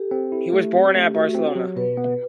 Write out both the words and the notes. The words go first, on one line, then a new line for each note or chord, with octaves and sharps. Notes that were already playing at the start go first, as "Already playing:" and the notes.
He was born at Barcelona.
Already playing: G4 A4
C4
E4
A3
C4
A3
A3 F#4
C4
F#3
B2 B4
B3